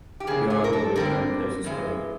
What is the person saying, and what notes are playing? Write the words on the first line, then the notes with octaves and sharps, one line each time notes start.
He ultimately returned to Texas Tech.
G4
F2 C#3 A#3 D4 G#4
G#4
A#4
A4
D3 G3 C4 A#4
G2 E3 G#3